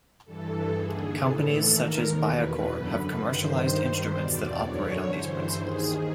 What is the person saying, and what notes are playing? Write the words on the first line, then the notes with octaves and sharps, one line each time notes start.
Companies such as Biacore have commercialized instruments that operate on these principles.
G2 E3 A4
D#2 D3 G#4
A2 E3 A4
D#2 D#3 A#4
E2 B2 B4
F#2 D3
G2 D#3 C5
G2 D#3
E2 B2 D5
F#2 D3 C#5
G2 E3 C5
D#2 D#3 G#4